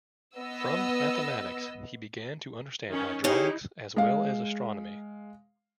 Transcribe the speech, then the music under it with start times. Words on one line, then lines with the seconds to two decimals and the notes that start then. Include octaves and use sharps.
From mathematics, he began to understand hydraulics, as well as astronomy.
0.36 B3 D#5 E6
2.90 D#3 C#4
3.24 C#4 D#4 E4 G4 G#4
3.96 G#3 F5